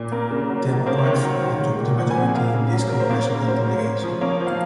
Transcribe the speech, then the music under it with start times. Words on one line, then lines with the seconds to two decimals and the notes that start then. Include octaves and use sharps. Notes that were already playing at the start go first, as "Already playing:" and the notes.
Democrats retook the majority in this congressional delegation.
Already playing: A#2
0.12 A#3 A#4
0.31 C#3
0.49 F#3
0.68 C#3
0.86 A#3 C5
0.98 C#5
1.06 D#3
1.23 F#3 F#5
1.42 D#3
1.60 G#3
1.80 A#2
1.98 F3 F#5
2.11 G#5
2.17 C4
2.23 F#5
2.35 A#3 F5
2.54 C#3
2.73 F#3
2.89 C#4 A#4
3.00 C5
3.10 A#3 C#5
3.22 C5
3.29 C#3
3.35 A#4
3.47 F#3 C5
3.66 C#4
3.84 C#4
4.03 F3
4.21 A#3 C#5
4.41 F3
4.47 F5